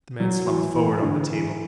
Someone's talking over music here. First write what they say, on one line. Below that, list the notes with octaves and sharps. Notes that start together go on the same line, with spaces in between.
The man slumped forward on the table.
F#3
E3
E3
D3
E3